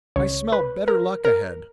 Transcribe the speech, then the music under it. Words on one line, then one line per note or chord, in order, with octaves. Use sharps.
"I smell better luck ahead."
C#2 C#3 C#5
B4
A#4
A#4